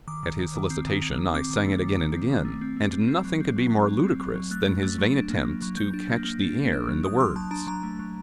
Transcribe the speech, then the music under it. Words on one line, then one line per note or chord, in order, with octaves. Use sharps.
At his solicitation I sang it again and again, and nothing could be more ludicrous than his vain attempts to catch the air and the words.
D#3 D6
D#3
D#3
D#3
C4
D#3
D#3
D#3
C4 D6
D#3
A3
D#3
D#3
C4
D#3
A3
C4
A3
C4
C4
F#3
C4
F#3
F#3
F#3
C4
F#3
F#3
A3 F#6
F#3
A3
F#3
D4
A#3
F#3
F#3
F#3 G6
D4
A#3
A#3
D4
D4
D4
F#3
F#3 D#6
F#3 C6
F#3 A5
D4 A#5
F#3 A#5
A3
F#3